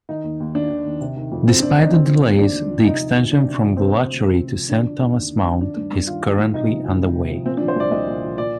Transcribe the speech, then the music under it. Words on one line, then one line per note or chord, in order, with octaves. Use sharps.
Despite the delays, the extension from Velachery to Saint Thomas Mount is currently underway.
D#3 D#4
D#2
D#2
D#3 D4
D#3
D#2
C3
D#3
F2
F2 C4
C3 D4
D#3 D#4
D3 C4
F3
D#2
D#2 D4
D3
F3
C3 D#4
F3
D2
D2 D4
C3
F3
C3 C4
F3
D2
D2
C3
F3
D3 D4
F3
D#2
D#2
D3
F3
D#3 D4
G2
G2
D#3 F4
D#3
G2
C3 D#4
F3
D2
D2
C3
F3
A#2 C4
D4
F3
C5
C2 D5
C2 D#5
A#2
F3
A#2 D5